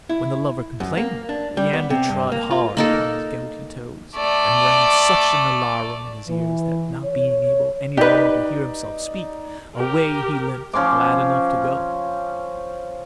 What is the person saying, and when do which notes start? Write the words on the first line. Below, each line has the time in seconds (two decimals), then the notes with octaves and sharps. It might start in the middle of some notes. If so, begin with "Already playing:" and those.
When the lover complained, Leander trod hard upon his gouty toes, and rang such an alarum in his ears, that, not being able any longer to hear himself speak, away he limped, glad enough to go.
0.09 E4
0.80 F#2
0.97 A#3
1.29 D4
1.57 G3
1.73 B3
1.90 C3
2.09 G2
2.32 A#3
2.51 F4
2.77 A#3 D#4 A4
4.17 A3 D5
6.28 E3
7.04 C#5
7.97 D#4 G4 B4 D5
9.76 G4 A#4
10.73 F3 C#4 C6 D6